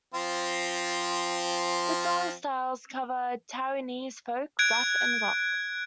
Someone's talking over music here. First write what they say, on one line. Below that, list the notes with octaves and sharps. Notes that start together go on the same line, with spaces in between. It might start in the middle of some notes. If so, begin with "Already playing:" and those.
The songs' styles cover Taiwanese folk, rap, and rock.
F3 C4 F4
F#6 G#6 D7